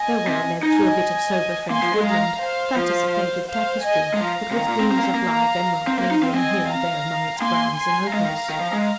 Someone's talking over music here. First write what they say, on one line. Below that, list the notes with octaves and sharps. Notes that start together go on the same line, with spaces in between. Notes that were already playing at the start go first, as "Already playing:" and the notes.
Their way led through a bit of sober French woodland, flat as a faded tapestry, but with gleams of live emerald lingering here and there among its browns and ochres.
Already playing: D#5 G#5
C3
D#4 D#5 G#5
A#3 G#5 C6
F3
G#3
F5 A#5
C5 F5
F3
C5 F5
D#5 G#5
G#3
F3 F5 A#5
C3
D#3
A#2
C4
C4
A#3
C4
A#3
F5 A#5
C4
A#3 C5 F5
D#4
C4
C4 D#5 G#5
F5 A#5
A#3 G#5 C6
G#5 C6
G#3 F5 A#5
D#3
D#3
F3
G#3